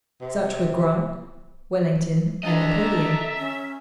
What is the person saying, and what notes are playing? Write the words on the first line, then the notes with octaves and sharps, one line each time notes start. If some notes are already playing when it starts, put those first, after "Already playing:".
Such were Grant, Wellington, and Napoleon.
C3
D4 A4 D#5 E5 A5 A#5
C#4